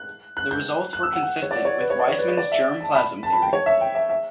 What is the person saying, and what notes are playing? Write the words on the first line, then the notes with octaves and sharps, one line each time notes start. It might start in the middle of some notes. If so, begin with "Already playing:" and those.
The results were consistent with Weismann's germ plasm theory.
Already playing: F#6
F#6
G6
F#6
E6
F#5
F#5
C#5
D5
C#5
B4
C#5
D5
C#5
B4
C#5
D5
E5
A5
B5
A5
B5
G5
C#5
E5
G5
E5
E5